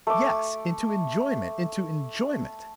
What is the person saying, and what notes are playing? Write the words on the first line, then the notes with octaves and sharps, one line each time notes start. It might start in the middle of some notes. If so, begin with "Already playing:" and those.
Yes, into enjoyment, into enjoyment!
A3 D6